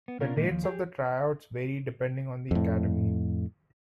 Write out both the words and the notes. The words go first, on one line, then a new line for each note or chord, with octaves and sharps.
The dates of the tryouts vary depending on the academy.
B3
B2 C#4 D4 F4 A#4
A#2 D#3 G#3 A#3 D#4
D#2 F3
G4 G#4
F2 A2